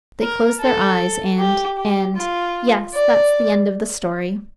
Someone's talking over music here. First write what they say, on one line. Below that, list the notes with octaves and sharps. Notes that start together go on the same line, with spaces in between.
They closed their eyes, and--and--! Yes, that's the end of the story!
A#4
A4
G4
G4
F4
D5